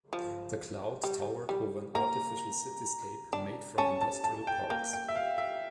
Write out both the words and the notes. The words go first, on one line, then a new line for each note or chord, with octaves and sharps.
The cloud towered over an artificial cityscape made from industrial parts.
F3
G3
G3
A#3 A#5
D4
C#4 A5
A5
A5
G5
A#3 G5
G5
E5
F5
E5